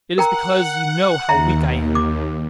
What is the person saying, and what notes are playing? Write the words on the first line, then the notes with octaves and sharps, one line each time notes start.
It is because you know how weak I am!
A#4 F#5 G5 A#5
D#2 E5 A#5
D6